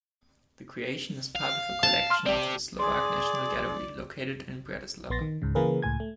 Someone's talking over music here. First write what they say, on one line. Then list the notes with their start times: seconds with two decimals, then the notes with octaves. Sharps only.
The creation is part of the collection of the Slovak National Gallery located in Bratislava.
1.36 F5
1.83 A5
2.10 C6 F6
2.26 C4 G4 D5
2.79 G#4 D5 C6
5.10 A#1 B3 C6 A6 A#6
5.21 D#3
5.42 C#2 G#2 C#3
5.55 C#3 E3 A#3 G#4 A#4 B4
5.82 C#2 A2 G#5 G#6
6.00 A3